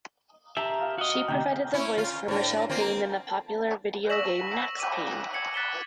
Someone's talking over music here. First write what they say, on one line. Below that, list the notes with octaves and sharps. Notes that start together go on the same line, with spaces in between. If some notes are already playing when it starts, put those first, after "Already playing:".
She provided the voice for Michelle Payne in the popular video game "Max Payne".
G4 E5 A5 A#5
F#4 D#5
D2 C3 D#4 G4
C#4 E4
F4
A2 D4
A#3 C4 F4
C#6 E6 A#6 B6 E7 F#7
D6 E6 D#7
G#6 C#7 F#7
F#6 A6 B6 C#7 E7 G7